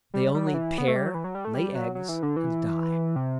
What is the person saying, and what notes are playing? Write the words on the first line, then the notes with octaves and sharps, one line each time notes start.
They only pair, lay eggs, and die.
G3
G3
F#3
E3
B3
A3
G3
F#3
E3
F#3
G3
A3
G3
F#3
F#3
E3
D3
E3
C3